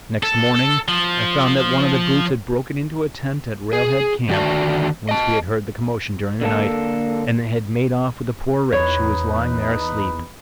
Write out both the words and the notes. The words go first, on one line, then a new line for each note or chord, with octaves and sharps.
Next morning I found that one of the brutes had broken into a tent at Railhead Camp--whence we had heard the commotion during the night--and had made off with a poor wretch who was lying there asleep.
A4
F3
G#4
D3 D#3 F#4 D5 A5
D#5 A5
D3 A#3 A4
E2 D#4 B4 C#5